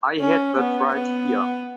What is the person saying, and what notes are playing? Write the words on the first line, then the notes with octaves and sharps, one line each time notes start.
I had that right here.
C#4
B3
B3